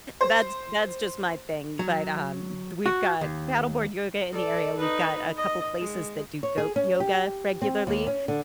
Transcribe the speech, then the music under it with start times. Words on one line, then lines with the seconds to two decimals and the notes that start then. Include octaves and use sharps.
that's that's just my thing, but, um, th we've got paddleboard yoga in the area, we've got a couple places that do goat yoga regularly,
0.21 C5
1.79 F#3
2.86 F#4
3.21 D#2
4.32 A4 D5
4.77 D#4 B4
5.36 D#5
5.79 G#3
6.43 C#5
6.58 G#4
6.76 C#4
7.00 G4
7.62 C4
7.87 D#2
8.07 C#4
8.28 D3